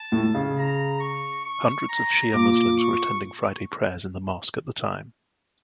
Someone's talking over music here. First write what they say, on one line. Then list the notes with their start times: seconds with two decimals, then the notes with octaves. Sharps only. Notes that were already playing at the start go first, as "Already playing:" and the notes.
Hundreds of Shia Muslims were attending Friday prayers in the mosque at the time.
Already playing: A5
0.12 A2
0.34 C#3
0.57 A#5
1.00 C#6
1.45 C#6
1.89 A#5
2.33 A#2 D6
2.78 C#6